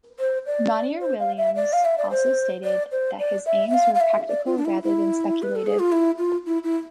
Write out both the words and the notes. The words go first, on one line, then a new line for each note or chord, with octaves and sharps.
Monier Williams also stated that his aims were practical rather than speculative.
C5
D5
C5
F5
E5
D5
F5
E5
D5
C5
D5
C5
D5
E5
E5
F5
F5
E5
D5
F4
D4
E4
E4
B4
A4
G#4
F4
E4
F4
E4
E4